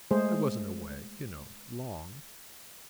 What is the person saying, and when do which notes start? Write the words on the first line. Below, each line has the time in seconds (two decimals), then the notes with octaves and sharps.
"I wasn't away, you know, long."
0.11 G#3 A3 G#4 C5